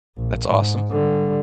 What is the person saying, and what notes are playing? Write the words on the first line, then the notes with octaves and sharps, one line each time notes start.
That's awesome.
A#1
G#2
D3 G3